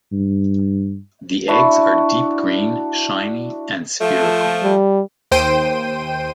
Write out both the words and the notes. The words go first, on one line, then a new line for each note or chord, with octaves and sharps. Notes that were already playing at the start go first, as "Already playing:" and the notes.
The eggs are deep green, shiny, and spherical.
G2
D4 E4 F#4
F3 A3
G3
D#2 C5 G5 D#7